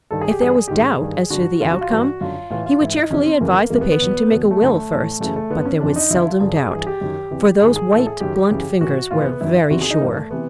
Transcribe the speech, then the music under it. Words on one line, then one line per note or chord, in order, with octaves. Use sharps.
If there was doubt as to the outcome, he would cheerfully advise the patient to make a will first, but there was seldom doubt, for those white, blunt fingers were very sure.
G2 D#3 A4
G#4
G4
G2 E3 G#4
G#4
G#2 D#3 G4
G#4
G2 D#3
G2 D3 F#4
F2 D3 F4
F#4
F4
G2 E3 F#4
F#2 D3 F4
A2 E3 F4
F4
G#2 E3 E4
D#4
F2 C3 E3 C#4
C4
F2 C#3 E3 A#3
F2 C3 E3 A#3
B3
B3
E2 B2
E2 B2
A3
F#2 D3
A2 E3
F#2 C#3 E3 A3
A3
G2 D3 B3
C#4
F2 C3 E3 D4
D#4
F2 D3 E4
F4
G2 D3 G#4
G#4
G2 E3 G#4
G4
F#2 D#3
E2 C3 E3
G#2 D#3 G#4
G#4
A2 E3 A4
G#4
F#2 D#3 G4
G4
F#2 C#3 E3
A2 E3 F#4
A2 E3 F4
B3
B3
F#2 D#3 E4
E4
E2 C3 D#3 F#4
G#4
D#4
G2 E3 A#3
A3
C3 E3 B3